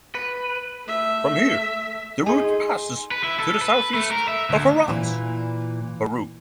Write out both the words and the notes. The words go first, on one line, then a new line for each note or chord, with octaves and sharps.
From here, the route passes to the southeast of Harrah's.
B4
A3 E5
D#4 G#4 G#5 C6
B4
E4
A4
B4
A3
A#4
E5
D2
A#2 E3